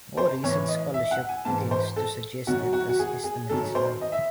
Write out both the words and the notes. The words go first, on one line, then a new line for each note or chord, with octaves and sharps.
More recent scholarship tends to suggest that this estimate is low.
C5
A2 E3 C#5
D#5
E5
F#5
G#5
G#2 E3 A5
C5
A4
F#2 D#3 F#3 F#4
F#4
F#4
G#4
G#4
F#2 D#3 F#3 A4
C5
D#5
E5